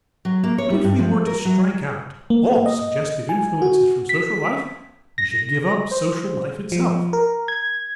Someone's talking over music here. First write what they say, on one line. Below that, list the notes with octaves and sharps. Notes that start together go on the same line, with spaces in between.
But if we were to strike out all suggestive influences from social life, we should give up social life itself.
F#3
A#3
C#5
G3
G2
F3
A#4
F#3
A#3
D#5
G#5
F#4
B6
A#6
C5
F3
A#4
G#6